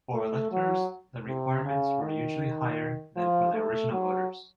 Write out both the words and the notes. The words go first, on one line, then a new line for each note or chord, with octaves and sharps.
For electors, the requirements were usually higher than for the original voters.
A3
F#3
C3
C#3
D#3
F3
A3
F#3